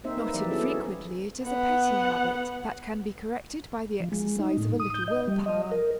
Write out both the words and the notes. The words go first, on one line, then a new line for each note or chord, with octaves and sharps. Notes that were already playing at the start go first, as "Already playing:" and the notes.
Not infrequently it is a petty habit that can be corrected by the exercise of a little will power.
A#3 C4 D#4 C5 E5
A#3 D#4 B4
E3 F#3 G3 D5 E5
B3 C#4 E4 G#4 A4
C#5
B3 F#5
F3
G#3
D#4
A2
D#6
G6
D#5
G3
D#5
A#4